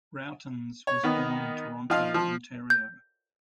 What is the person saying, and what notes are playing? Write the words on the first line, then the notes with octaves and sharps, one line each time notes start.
Rautins was born in Toronto, Ontario.
C#5
D#3 B3
F3 D#4 F5
F3
G6